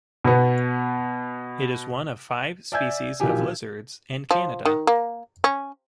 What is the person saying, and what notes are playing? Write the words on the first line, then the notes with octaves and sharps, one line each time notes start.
It is one of five species of lizards in Canada.
B2 B3
D5 E5 G#5 E6 G6 G#6
B1 A#2 E3 F3 G4 G#5
F3
D#3
A#3
C#4